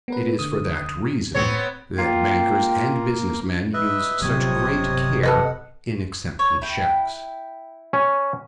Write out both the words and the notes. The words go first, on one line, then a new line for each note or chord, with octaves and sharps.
It is for that reason that bankers and business men use such great care in accepting checks.
B3 A#4 B4
D3 D#6
A2 B3 C4 C#5 C#7
A#3 F4 G5
B4 D#5 E5
G1 C3 F#3 C#5 D#5 D#6
A4 B4 D#5 F#5
C#5
E4 G5
C#4